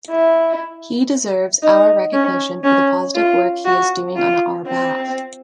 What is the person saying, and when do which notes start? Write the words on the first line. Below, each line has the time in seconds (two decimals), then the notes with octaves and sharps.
He deserves our recognition for the positive work he is doing on our behalf.
0.11 E4
1.63 D#4
2.13 C#4
2.64 C#4
3.15 F4
3.65 F#4
4.16 F4
4.67 C4